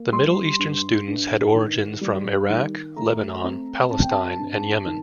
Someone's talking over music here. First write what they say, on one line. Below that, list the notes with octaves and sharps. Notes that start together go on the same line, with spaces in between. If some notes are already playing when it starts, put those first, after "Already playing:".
The Middle Eastern students had origins from Iraq, Lebanon, Palestine, and Yemen.
Already playing: A#3
G3 C6
G2
G2
D#3
G3
D#3
A3 A#5
C4
C4 A5
G5
A5
G2
D#3